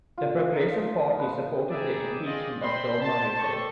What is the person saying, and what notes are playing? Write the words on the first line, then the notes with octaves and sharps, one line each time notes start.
The Progressive Party supported the Impeachment of Dilma Rousseff.
F4
D#5
D#4
F5
D#4
B4
D#4 G4 G#4 B4 D5 E5
F4 G4 G#4 D5 D#5
C4 C5 B5 C6
C5 A5
G4 A4 C#6